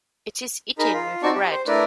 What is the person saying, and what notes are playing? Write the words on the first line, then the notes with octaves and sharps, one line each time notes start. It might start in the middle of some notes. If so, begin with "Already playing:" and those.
It is eaten with bread.
D#4 G#4 A#4 B5
F4
C4 D#4 F#4 D5 A5 C#6
G4
C5
A3 D4 E4 A#4 B4 D5